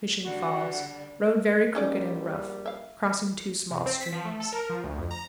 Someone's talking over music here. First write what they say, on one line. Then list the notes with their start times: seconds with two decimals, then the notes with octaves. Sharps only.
Fishing Falls.--Road very crooked and rough, crossing two small streams.
0.24 D3 G3 D4 F#4 F#5
1.75 A#1 G3 C#4 D#4 D5
2.66 E5 F5
3.71 C3
3.86 C4
4.00 B6
4.12 F3
4.25 A3
4.40 A4
4.52 A#4
4.70 F3
4.84 D2
4.98 F2
5.11 A#5